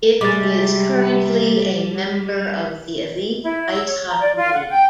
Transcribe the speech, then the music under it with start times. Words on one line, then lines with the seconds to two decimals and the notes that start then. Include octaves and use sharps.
It is currently a member of the Elite Ice Hockey League.
0.21 C3 G3 G#3 D6 A6
3.43 E4
3.70 E6
3.86 C#5
4.09 A#5
4.20 D5
4.37 F4
4.52 F#5
4.69 G5